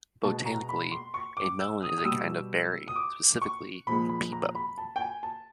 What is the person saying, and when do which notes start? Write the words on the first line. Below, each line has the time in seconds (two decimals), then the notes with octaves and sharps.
Botanically, a melon is a kind of berry, specifically a "pepo".
0.23 B2 G#3 A5
0.46 A#5
0.69 B5
0.92 C6
1.14 C#6
1.37 D6
1.59 E6
1.82 D#6
1.98 D#6
2.05 B2 G3 E6
2.88 D#6
2.96 D6
3.42 C#6
3.87 A#2 F3 G#3 B5
4.09 B5
4.32 A#5
4.55 B5
4.78 A5
4.96 G5
5.01 G#5
5.23 A5